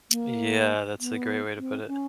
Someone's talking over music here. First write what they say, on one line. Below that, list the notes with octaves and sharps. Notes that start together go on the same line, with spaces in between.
Yeah, that's a great way to put it.
A#3
B3
C4
C#4